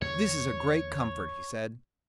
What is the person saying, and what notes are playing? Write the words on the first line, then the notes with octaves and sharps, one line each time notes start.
"This is a great comfort," he said.
E2 D3 A#3 C#5